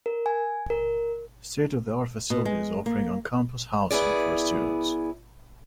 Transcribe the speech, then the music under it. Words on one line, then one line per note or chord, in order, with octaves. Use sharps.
State of the art facilities offering on-campus housing for students.
A#4
G#5
A#4
B2
G#3
A#3
B3 E4 G#4 D5